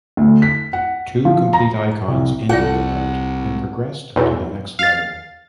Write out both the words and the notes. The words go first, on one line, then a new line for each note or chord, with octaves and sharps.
Two complete icons ended the bout and progressed to the next level.
D2
B6
F#5
F3
A#5
C2
C2 E4 F4 A4 D5 F#5 A5
B1 E2
F5 A6